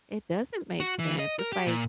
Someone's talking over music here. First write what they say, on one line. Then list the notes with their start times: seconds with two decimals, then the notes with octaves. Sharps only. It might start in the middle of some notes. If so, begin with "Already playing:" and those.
It doesn't make sense. It's, like,
0.80 F#4
0.99 E3
1.19 D#5
1.39 A#4
1.52 G4
1.67 A#2